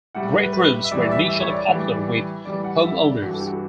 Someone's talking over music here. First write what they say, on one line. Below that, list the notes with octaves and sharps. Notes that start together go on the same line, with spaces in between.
Great rooms were initially popular with homeowners.
A2 G3 F#5
B4
B4
E5
A2 E3 G3 D5
D5
E5
E5
C#5
D5
A2 E3 G3
A2 E3 G3 D5
F#5
E5
D5
G2 E3 G3 F#4
A4
G4
F#4